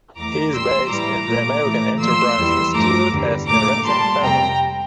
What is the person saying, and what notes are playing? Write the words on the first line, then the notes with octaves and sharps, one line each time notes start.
He is based at the American Enterprise Institute as a resident fellow.
E2 E3 A3 A#5 D6
A#2 G3 C6 E6
A2 E3 G3 A#5 D6
A#2 A3
A2 E3 A3
A#2 F3 A3 C6 E6
E2 E3 G3
G2 F3 A3 A#5 D6
E2 D3 G3
A#2 A3 A#5 D6
A#2 G3 A5 C6
F2 C3 G3 G5 A#5